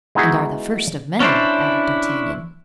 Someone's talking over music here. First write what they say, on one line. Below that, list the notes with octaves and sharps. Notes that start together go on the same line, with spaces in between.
"And are the first of men!" added D'Artagnan.
G#3 B3 D#4 E4 F#4 G#4
C#4 D4 E4 C5